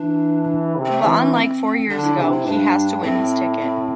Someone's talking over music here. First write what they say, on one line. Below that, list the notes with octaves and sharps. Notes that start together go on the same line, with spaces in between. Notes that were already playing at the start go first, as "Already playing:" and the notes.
But unlike four years ago, he has to win his ticket.
Already playing: E3 D4
C3
C4
A3
E3 C4
D4
C4
D3 D4
E4
C3 D4
E4
G2 D4
A2 C4
C4